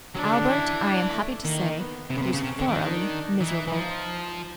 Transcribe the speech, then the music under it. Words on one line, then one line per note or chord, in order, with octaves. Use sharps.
Albert, I am happy to say, was thoroughly miserable.
F#3 D4
D3
C#3
D3
E3
D4
A3
D#3 A#3
B3
C3 B3
C#3
C3
C#3
C3 C#4
D3
D#3
D4
E3 D#4
E3
F3